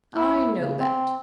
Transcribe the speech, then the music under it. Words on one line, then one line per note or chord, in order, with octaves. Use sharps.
I know that.
E4
C#3
C4